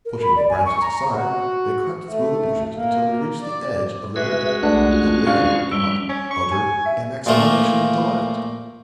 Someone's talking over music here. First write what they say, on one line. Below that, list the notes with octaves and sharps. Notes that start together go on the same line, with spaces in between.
Pushing the branches aside, they crept through the bushes until they reached the edge of the river, and then Dot uttered an exclamation of delight.
A#4
B5
D5
G#5
C#6
A#5
F#4
A3
A#3
D5
G#3 F#4 B4 E5
B1 A3 D4 F#5
C#4 F4
D4 F5 C#6
G3 C#4 E6
C#4
C#6
G#5
E5
A#2 F3 A3 A#3